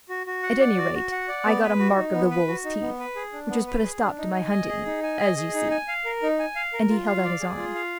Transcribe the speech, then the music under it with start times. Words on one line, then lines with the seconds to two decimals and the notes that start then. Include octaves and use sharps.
"At any rate, I got a mark of the wolves' teeth, which has put a stop to my hunting, as you see," and he held out his arm.
0.09 F#4
0.27 F#4
0.43 F#5
0.60 D5
0.78 F#4
0.94 F#4
1.12 F#5
1.28 D5
1.46 B3
1.63 B4
1.79 F#4
1.97 D#4
2.14 B3
2.31 B4
2.48 F#4
2.65 D#4
2.81 B3
2.99 B4
3.16 G#4
3.33 D4
3.50 B3
3.67 B4
3.84 G#4
4.01 D4
4.18 D#4
4.35 G#5
4.52 D#5
4.68 G#4
4.85 D#4
5.03 G#5
5.20 D#5
5.36 G#4
5.54 D#4
5.71 G#5
5.88 F5
6.05 A#4
6.22 D#4
6.39 G#5
6.56 F5
6.73 A#4
6.90 F4
7.07 F5
7.24 D5
7.41 G#4
7.57 F4
7.75 F5